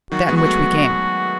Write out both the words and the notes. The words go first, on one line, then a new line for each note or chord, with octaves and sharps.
"That in which we came."
D#3 F#3 F#4
G#3 B3
F#4
F#3 A3